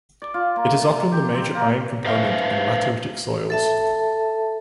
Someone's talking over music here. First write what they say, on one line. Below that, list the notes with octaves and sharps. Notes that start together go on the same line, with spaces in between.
It is often the major iron component in lateritic soils.
D5
F4
A#3
A3
A#5
G4
C4
A#3
B4 C5 E5 F5
A4 E5 A5